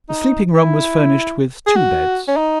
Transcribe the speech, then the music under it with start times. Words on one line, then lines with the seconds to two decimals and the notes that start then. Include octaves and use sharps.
The sleeping-room was furnished with two beds.
0.09 D#4
0.54 E4
1.67 G#4
1.76 F#4
2.28 C#4
2.37 D#4